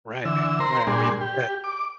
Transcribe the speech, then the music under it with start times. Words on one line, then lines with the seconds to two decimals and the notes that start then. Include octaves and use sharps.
Right, right. I mean, at
0.25 D3 E3 E6
0.60 A#4 C5 A#5 C6
0.87 A#2 G3 D4 G#4 C6
1.21 G4
1.64 D6